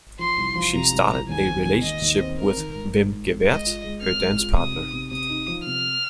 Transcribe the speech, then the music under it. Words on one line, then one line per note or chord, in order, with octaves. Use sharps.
She started a relationship with Wim Gevaert her dance partner.
F3 C6
C2
F3
C3 A#5
C2
F3
D#2 G#5
C4
D#2
D#2 D#5
D#2
C4
C4 A#4
D#3
G#2
G#2
G#2
G#2
G#3 D#5
F4
G#3
C4 F6
G#3
F4
C3 D#6
D#4
C3
C3 D#6
D#4
F3
C3 F6